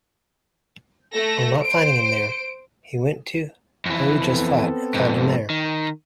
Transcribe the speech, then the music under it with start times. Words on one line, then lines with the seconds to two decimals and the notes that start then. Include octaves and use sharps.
On not finding him there, he went to Ahuja's flat and found him there.
1.14 A3 A4 A#6
1.63 C5 D7
3.86 F2 E3
4.22 B3 C4 A4
4.94 F2 G#2
5.50 D#3